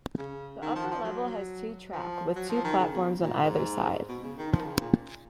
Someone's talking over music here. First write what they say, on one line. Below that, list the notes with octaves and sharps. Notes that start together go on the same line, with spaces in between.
The upper level has two track with two platforms on either side.
C#3
D#3
F3
F3
F#3
F3
F#3
F3
D#3
C#3
B2
A#2
G#2
B2
C#3
D#3
F3
D#3
C#3
A#2